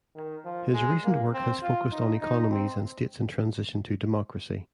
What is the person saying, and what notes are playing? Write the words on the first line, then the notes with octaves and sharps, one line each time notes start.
His recent work has focused on economies and states in transition to democracy.
D#3
F3
G#3
A#3
C4
F4
D#4
D#4
C4